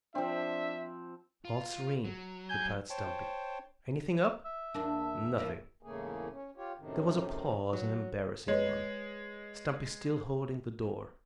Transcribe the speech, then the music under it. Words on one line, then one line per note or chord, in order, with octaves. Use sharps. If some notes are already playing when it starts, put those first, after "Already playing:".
"All serene!" replied Stumpy. "Anything up?" "Nothing." There was a pause--an embarrassing one--Stumpy still holding the door.
F3 C4 D4 E5
F4
F#3
G#5 G6
C5 C#5 G5 A5
E5
E2 A#3 D4
E3 F3 A#3
E2 G#2 C#3 A3 A#3 G#4
C#4
F4 G4 C#5
F#2 A2 C3 D#3
F#3
G#3 B4 C#5